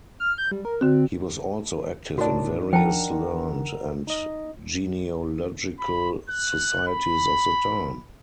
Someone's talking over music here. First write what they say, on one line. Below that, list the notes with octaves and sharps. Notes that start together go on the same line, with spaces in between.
He was also active in various learned and genealogical societies of the time.
F6
G6
G3
A#4
D3 C4 F#4
A2 D#3 D4 F#4
F3 A#4 F#5 G5 A5 A#5
D#4 D#5
B5
F#6
B5